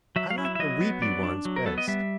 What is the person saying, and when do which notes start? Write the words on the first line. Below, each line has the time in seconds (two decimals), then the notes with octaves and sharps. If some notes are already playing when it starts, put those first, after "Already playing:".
I like the weepy ones best.
0.16 F#3 E5
0.30 F5
0.38 E4
0.45 E5
0.55 E5
0.59 F#3 D#5
0.81 B3
1.02 F#3 D5
1.23 D4
1.45 F#3
1.56 A#4
1.66 B3 A4
1.78 D#5
1.88 G3 E5